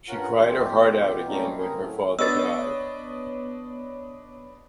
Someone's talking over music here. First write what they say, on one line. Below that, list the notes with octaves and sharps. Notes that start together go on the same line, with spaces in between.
She cried her heart out again when her father died.
G2 C#4 F4 A#4 F#5
B2 E3 F4 G4
G3 A3 A#3 C4 C#4 D#4
C4 G#4 A#4
A2 C#3 F#3 A3
B3 D4 B4 C#5 D#5 E6 A6